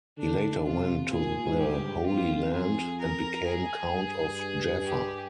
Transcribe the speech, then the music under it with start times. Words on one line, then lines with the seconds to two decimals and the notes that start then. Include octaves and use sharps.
He later went to the Holy Land and became Count of Jaffa.
0.18 D3 D4
0.65 C3 F4
1.12 A#2 G#4
1.44 G#2
1.59 G4
1.75 G2
2.06 F2 F4
2.53 G#4
3.00 A#4
3.46 G#4
3.93 G2
4.87 G4